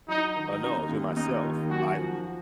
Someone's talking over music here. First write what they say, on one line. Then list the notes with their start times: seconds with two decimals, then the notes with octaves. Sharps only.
Oh, no, to myself, I
0.08 F#3 D#4
0.36 D#3
0.62 D#2 D#4
0.89 D#2
1.16 D#2 D#4
1.43 D#3
1.70 F#2 F#4
1.97 F3
2.24 F3